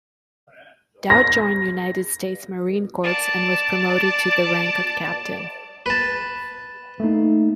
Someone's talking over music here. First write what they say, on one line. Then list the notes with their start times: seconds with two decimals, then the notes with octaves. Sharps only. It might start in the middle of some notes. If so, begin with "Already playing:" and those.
Dowd joined United States Marine Corps and was promoted to the rank of captain.
1.10 A#6
3.03 D5 A5
5.86 B4 A5
7.00 A3 A#3 D#4